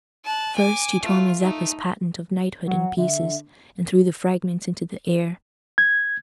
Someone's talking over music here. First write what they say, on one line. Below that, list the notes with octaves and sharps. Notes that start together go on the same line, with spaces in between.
First, he tore Mazeppa's patent of knighthood in pieces, and threw the fragments into the air.
A5 F#6
G#5 D6
A3 F4
A3 D#4
F#3 F#5
D3 E5
G#6